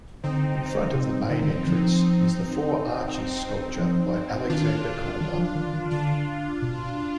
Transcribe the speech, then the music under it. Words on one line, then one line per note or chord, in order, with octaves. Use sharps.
In front of the main entrance is the "Four Arches" sculpture by Alexander Calder.
D3 C4 D#4
C3
D3
D#3
D3
F3 C4 D#4
C4 D#4
F3
D#3 D4 F4
D#3
F3
D#3
D#3
D3 D4 F4
B2